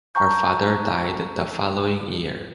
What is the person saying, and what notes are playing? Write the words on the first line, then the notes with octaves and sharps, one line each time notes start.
Her father died the following year.
G5 A5 A#5 C#6 G6